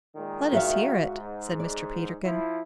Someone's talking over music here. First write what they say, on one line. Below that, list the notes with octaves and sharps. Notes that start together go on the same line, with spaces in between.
"Let us hear it," said Mr. Peterkin.
A#2 D#3 G#3
F#4 E5 F5
G#2
D5
F3 E4